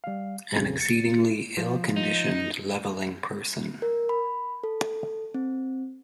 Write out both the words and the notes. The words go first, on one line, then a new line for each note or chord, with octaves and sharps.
An exceedingly ill-conditioned, levelling person.
G3 F5
A#1 F2 C#3
A6 C#7
F3
D#4
A#4
B5
A4
C4